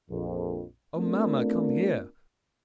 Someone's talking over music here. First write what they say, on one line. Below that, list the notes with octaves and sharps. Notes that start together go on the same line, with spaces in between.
Oh, mamma, come here.
A#1 F2
A3 B3 C4 D4 F4 A#4